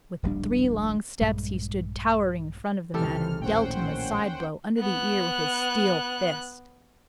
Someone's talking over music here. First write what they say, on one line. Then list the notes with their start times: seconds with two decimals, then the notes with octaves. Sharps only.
With three long steps he stood towering in front of the man and dealt him a side blow under the ear with his steel fist.
0.23 D1 A#1 G3 D4
1.21 A#1 G2 G#3
2.94 C#2 C3 D#3 E3 G3 A4 F6
3.41 A#1 D#2 A2 C#4 C5 F#5 G5
4.80 B3 F#6